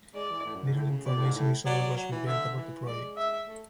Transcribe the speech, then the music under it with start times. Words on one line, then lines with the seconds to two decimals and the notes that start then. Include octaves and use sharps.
Little information is otherwise revealed about the project.
0.15 G#3 D5
0.31 E3
0.45 A2
0.55 F#2
0.66 G#2
0.75 A2
0.90 C#3
1.06 B2 D5
1.16 A2
1.26 G#2
1.36 A2
1.66 F#3 D5
1.97 F#3
2.12 E3
2.26 D3 E5
2.57 E3
2.87 G#3 D5
3.17 E5
3.48 A3